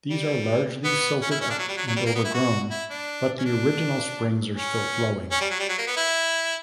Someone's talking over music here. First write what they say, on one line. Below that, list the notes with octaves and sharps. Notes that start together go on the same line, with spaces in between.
These are largely silted up and overgrown, but the original springs are still flowing.
G3
B3
C#4
E4
C#4
D4
F#3
G3
F#3
F#3
G3
A#3
B3
E4
F#4
E4
D4
C#4
D4
C#4
C#4
G3
F#3
G3
F#3
A#3
B3
E4